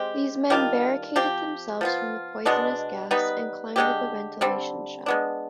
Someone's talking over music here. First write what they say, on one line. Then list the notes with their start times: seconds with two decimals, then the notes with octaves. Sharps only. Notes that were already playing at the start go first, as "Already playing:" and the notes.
These men barricaded themselves from the poisonous gas and climbed up a ventilation shaft.
Already playing: G#3 C4 G4
0.50 D#3 G3 D4 F4
1.16 F3 C4 G4
1.81 F3 B3 F4
2.45 B2 G#3 B3 D4
3.11 G3 B3 D#4 B4
3.76 D3 G#3 C4 G4
4.41 D3 G3 C4
5.06 G#3 B3 D4